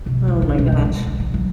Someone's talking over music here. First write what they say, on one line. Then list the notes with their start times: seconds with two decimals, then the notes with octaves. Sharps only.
Oh my gosh.
0.06 B2
0.28 E3
0.42 C#4
0.58 B2
0.72 G3
0.85 A#1
1.07 G#3
1.20 E3
1.34 F#3